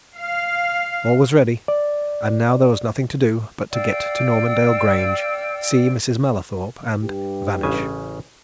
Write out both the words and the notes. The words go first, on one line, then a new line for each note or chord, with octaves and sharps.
All was ready--and now there was nothing to do but to get to Normandale Grange, see Mrs. Mallathorpe, and--vanish.
F5
D5
D5 F5 G5 E6
G2 G4
A1 C#3 G#5